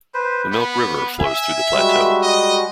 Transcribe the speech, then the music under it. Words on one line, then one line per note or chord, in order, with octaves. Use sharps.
The Milk River flows through the plateau.
B4 C5
B3 B5
E5 G#5
G3 G#3 F#4
D#5